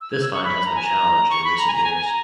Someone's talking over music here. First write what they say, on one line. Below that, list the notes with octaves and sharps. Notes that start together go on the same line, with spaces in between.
This find has been challenged in recent years.
E6
G#6
E6
C#6
B5
A#5
G#5
A#5
C#6
B5
A#5
G#5
A#5
G#5
G#5
A#5